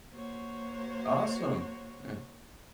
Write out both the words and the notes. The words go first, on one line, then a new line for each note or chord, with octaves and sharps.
Awesome. Eh.
A#3 F#4 C5 C#5